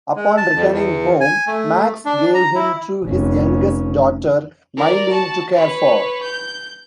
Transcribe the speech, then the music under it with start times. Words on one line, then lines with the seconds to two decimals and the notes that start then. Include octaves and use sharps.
Upon returning home, Max gave him to his youngest daughter, Mylene, to care for.
0.16 G#3
0.37 A5
0.55 F2
0.72 E2
1.21 G#5
1.48 A3
2.06 D4
2.34 A#5
2.55 E4
3.04 F1 C#4
4.77 A#4 D5
5.10 F#4 A5
5.55 B4 C#5
6.23 G6